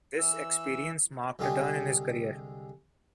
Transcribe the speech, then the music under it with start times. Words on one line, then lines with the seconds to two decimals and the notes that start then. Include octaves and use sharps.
This experience marked a turn in his career.
0.18 E3 E6
1.39 C2 D3 G#3 F4 G4 G#4